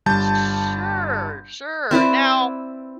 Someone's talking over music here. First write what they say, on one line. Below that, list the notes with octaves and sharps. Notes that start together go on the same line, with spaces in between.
S sure, sure, now,
G1 G3 A5 G6
C4 E4 B4 D5